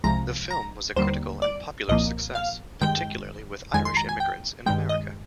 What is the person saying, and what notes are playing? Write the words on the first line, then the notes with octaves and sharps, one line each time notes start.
The film was a critical and popular success, particularly with Irish immigrants in America.
C2 C3 F3 G#3 A#5
A#5
D#2 D3 G3 A#3 C5
D5
C2 A#2 F3 A#3 D#5
F5
G2 D#3 G#3 G5
F2 D#3 G#3 G#5
C6
A#5
G#5
G5
G2 D#3 G#3 G5
D#5